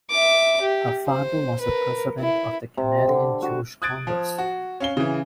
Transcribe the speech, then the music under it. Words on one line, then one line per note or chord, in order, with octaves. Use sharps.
Her father was a president of the Canadian Jewish Congress.
E5 D6
G4
C5
A#4 B4
E4
C3
D3
F#4
D#6 F#6 G#6 A6 D7
F3
F#4
C#4 F5 G7
C#3 E3